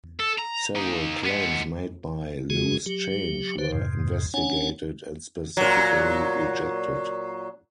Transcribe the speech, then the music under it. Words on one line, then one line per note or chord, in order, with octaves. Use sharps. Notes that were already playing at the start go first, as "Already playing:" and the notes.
Several claims made by "Loose Change" were investigated and specifically rejected.
A4
A#5
A#3 D#4
G#3 B3
C#3 G#3 F#4 G#4
F#3 G4
D3 B4 C5
F2 G#2 C3
C#4 D4 C#5 F#5 G#5
A#2 F#3